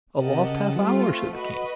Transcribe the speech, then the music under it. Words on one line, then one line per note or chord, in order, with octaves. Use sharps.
"A lost half-hour?" said the King.
C3 G4 A#4 D#5 F#5 A5
C#3
G3 A3 C4 F4
F#4 B4 D#5